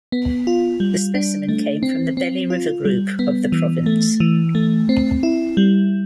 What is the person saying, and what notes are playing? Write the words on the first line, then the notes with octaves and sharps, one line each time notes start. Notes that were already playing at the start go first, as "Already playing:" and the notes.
The specimen came from the Belly River Group of the province.
B3
F4
G3
D4
A3
C4
C4
F4
G3
B3
E3
A3
E3
A3
C4
E4
G3